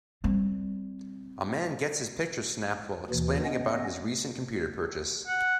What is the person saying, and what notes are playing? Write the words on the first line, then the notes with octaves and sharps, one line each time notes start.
A man gets his picture snapped while explaining about his recent computer purchase.
G3 C4
D#2 B2 E3
B3 C#4 D#5
F#5